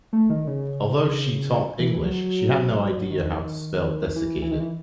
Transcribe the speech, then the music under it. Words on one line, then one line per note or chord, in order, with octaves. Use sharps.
Although she taught English, she had no idea how to spell desiccated.
A3
D#3
C#3
E3
F#3
D#3
E3
E3
D#3
E3